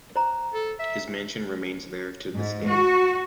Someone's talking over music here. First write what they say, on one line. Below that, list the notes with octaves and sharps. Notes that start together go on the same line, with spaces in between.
His mansion remains there to this day.
C5 A#5
A4
E5
G#2
F#4